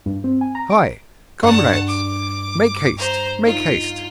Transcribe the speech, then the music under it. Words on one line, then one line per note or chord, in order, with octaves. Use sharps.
Hi! comrades, make haste! make haste!'
G2
C4
G#5
A#5
D7
G2 F#5 A5
D6
C5 A#5
D#4 F4